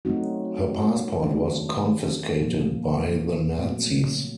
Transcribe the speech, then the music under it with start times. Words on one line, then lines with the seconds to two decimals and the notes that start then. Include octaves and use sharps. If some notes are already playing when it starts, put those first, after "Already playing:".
Her passport was confiscated by the Nazis.
0.05 F#3 A3 C4 D#4 F#4
1.23 D#3 F#3 A3 D4
2.40 A#2 F3 A#3
3.58 A#2 F#3 A3 C4